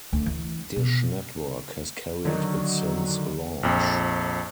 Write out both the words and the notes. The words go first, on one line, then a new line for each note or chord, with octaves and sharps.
Dish Network has carried it since launch.
D2
E3
B2
D3 D#3 F#3
A#1 F2